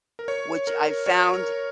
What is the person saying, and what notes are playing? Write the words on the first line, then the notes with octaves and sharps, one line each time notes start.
which I found
A#4
C#5
A#4
C#5
C#5
A#4